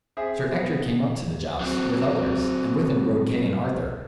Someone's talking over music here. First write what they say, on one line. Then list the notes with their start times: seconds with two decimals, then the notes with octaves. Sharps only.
Sir Ector came up to the jousts, with others, and with him rode Kay and Arthur.
0.17 C4 G#4 E5
0.47 B3
1.61 F#3 C4